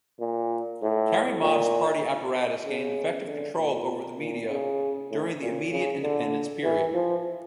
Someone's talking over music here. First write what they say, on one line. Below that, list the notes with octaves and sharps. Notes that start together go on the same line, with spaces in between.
Karimov's Party apparatus gained effective control over the media during the immediate independence period.
A#2
A2
A#2
C#3
D3
A#2
A#2
C#3
A2
A#2
C#3
D3
E3
F3